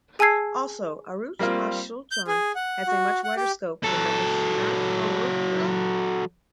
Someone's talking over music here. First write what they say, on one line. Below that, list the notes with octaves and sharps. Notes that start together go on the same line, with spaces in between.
Also, "Aruch HaShulchan" has a much wider scope than the "Mishnah Berurah".
G#4 G#5 A5 E6 G#6 C7
G3 A#3 C4 F4
G6
G#4
F#5
F#4
F#5
G4
F#3 A4